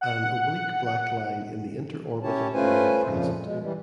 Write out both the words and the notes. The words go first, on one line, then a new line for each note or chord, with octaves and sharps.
An oblique black line in the interorbital area present.
F#5
C#4 E4 G4 C#5 A5
A3 C#4 F4 B4 C5 G#5
F2 A#2 C#3 F3
B2 G#3
E3 G3